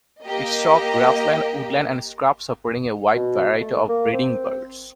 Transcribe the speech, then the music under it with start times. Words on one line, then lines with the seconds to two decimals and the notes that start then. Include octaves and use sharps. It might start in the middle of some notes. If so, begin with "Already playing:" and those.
Its chalk grassland, woodland and scrub supporting a wide variety of breeding birds.
0.24 A#3 G4 D#5
3.15 B2
3.61 A3
3.88 A#3
4.13 C4